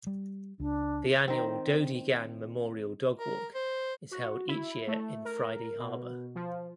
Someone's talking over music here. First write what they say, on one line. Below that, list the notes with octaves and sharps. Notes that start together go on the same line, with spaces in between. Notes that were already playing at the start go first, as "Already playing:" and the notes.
The annual "Dodie Gann Memorial Dog Walk" is held each year in Friday Harbor.
G3
C#2 D4
D#3 C4
A#4
C5
F#4
E4
A3
A#4
B2
F3